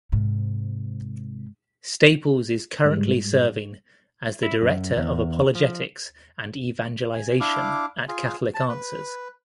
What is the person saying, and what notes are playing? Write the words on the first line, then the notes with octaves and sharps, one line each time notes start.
Staples is currently serving as the Director of Apologetics and Evangelization at Catholic Answers.
G#2 C3
G#2 G3 G#3
E4
F#2
E2
F3
G#5
D4 E4 F5 D6
F4 G#4
A5
B4